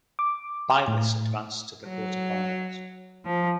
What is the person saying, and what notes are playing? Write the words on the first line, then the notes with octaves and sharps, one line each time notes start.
Bylis advanced to the quarter finals.
D6
A2
F#3
F3